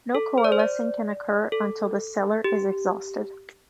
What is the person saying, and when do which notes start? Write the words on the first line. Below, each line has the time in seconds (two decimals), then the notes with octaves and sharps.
No coalescing can occur until the cellar is exhausted.
0.15 A4
0.38 C5
0.44 D5
0.52 C5
0.60 D5
1.52 A4
2.44 G4